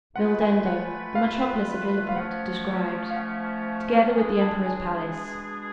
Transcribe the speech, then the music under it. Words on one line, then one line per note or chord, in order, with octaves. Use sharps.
Mildendo, the metropolis of Lilliput, described, together with the emperor's palace.
A3 F4 B4 F#5
G#5
F#5
F5
F5
F3 A3 C#4 F#5
F5
F#5
B2 G#3 D4 G#4 G#5
A5
G#5